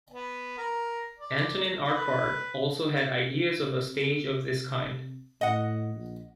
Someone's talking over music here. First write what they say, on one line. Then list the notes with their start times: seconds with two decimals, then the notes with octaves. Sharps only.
Antonin Artaud also had ideas of a stage of this kind.
0.11 B3
0.58 A#4
1.19 D5
1.91 B4
3.70 C4
4.18 C3
5.41 A2 D#5 F#5
5.94 A#1